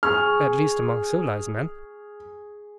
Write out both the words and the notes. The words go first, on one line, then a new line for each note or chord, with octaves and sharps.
"At least among civilized men."
G#4 C#6 F6